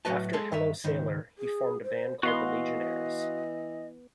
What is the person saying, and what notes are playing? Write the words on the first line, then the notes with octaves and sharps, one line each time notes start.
After Hello Sailor, he formed a band called the Legionnaires.
A2 F#3 F#4 B4 D#5 A5
G#3 G#4 A4
G2 D#3 E5
C#2 G#2 D#3
G#4
C5
E3 B3 F#4 D#5 F5 C6